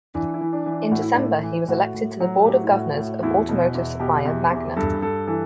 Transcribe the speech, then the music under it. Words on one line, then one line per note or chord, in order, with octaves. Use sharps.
In December, he was elected to the board of governors of automotive supplier Magna.
E3 D4
E4
E3
D4
E3
D4
A2 F#4
E4
A2 D4
E4
E3
A2 F#4
A2
F#3
A2 G4
F#4
E4
A2 F#4
A2
E2 E4
B2
E2
B2 G4
E2
E2
G2 A4
G2 A4
E3 A4